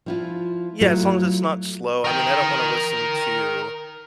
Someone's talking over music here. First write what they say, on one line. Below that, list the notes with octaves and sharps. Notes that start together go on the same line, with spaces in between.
Yeah, as long as it's not slow, I mean, I don't wanna listen to,
F3 E4 F4
F#3 A3 E4 F4
A#4 G5